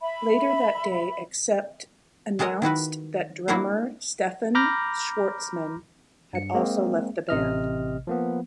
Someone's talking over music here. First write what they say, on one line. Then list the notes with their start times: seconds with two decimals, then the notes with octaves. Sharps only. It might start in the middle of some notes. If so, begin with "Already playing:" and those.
Later that day, Accept announced that drummer Stefan Schwarzmann had also left the band.
0.01 E5 B5
2.39 F#3 G#3 A4 A#4 D#5
2.62 D#3 E4 F#4 B4
3.48 A#3 D4 E4 F#4 A#4 C5
4.55 A#5 B5 D6 F6 G6 A#6
6.33 G2 C#7
6.54 G#3 A#3 C4 G#4
7.29 A1 C3 D#5 F6
8.07 F3 A#3 B3